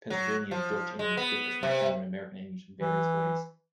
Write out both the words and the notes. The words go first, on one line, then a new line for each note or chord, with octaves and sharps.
Pennsylvania Dutch English differs from standard American English in various ways.
F#3
F3
G#3
B3
C3
E3